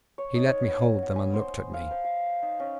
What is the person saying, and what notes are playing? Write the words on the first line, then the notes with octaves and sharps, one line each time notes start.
He let me hold them and looked at me.
C#5
D#4
B3
F#5
G#5
C5
F5
C5
F5
D#4
C#4